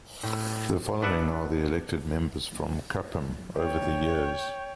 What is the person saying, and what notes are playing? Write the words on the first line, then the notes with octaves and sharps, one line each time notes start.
The following are the elected members from Kuppam over the years.
A2
B3 D4 B4 D5 E5 F#5
C#5 G5